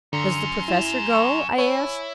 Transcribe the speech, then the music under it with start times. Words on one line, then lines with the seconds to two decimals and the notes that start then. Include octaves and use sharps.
"Does the professor go?" I asked.
0.13 F#2 D3 A#5 C6 C#7
0.68 E4 E7
1.15 C#6
1.58 E4 C#5 G#5